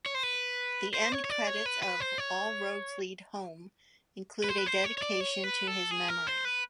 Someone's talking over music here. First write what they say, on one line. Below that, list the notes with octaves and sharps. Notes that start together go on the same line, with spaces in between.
The end credits of "All Roads Lead Home" include a dedication to his memory.
C#5
C5
B4
C5
C#5
C#5
D5
C#5
B4
B4
C5
C#5
B4
C5
B4
C5
C#5
C#5
D5
C#5
B4
A4
G#4
A#4
C5
B4